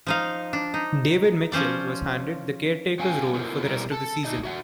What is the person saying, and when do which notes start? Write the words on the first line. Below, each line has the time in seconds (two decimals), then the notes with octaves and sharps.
David Mitchell was handed the caretakers role for the rest of the season.
0.07 F3 D#4 F5
0.53 D4
0.74 D#4
1.52 F3 C#4 C5 D5
2.99 F#3 C#4 F5 G5 G#5
3.33 B3 E4 F4 A4 A#4 C5
3.65 B2 G3 E4 A#4
3.92 A4 A5
4.25 A3 D4 D#4 D#5
4.44 F#4 E5 F#5